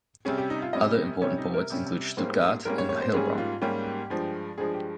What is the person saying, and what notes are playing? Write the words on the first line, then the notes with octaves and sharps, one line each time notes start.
Other important ports include Stuttgart and Heilbronn.
C3 G3 C#4 G#4
G4
D#4
F4
C3 G3 C#4 D#5
C3 G3 C#4 C#5
D#4
A#4
C3 G3 C#4
G#2 G3 A#3 C#4 C5
G#2 G3 A#3 C#4 A#4
C#5
C#5
C5
G#2 G3 A#3 C#4 G#4
F4
G#2 G3 A#3 C#4 G4
G2 F3 G#3
G2 F3 G#3 G#4
G4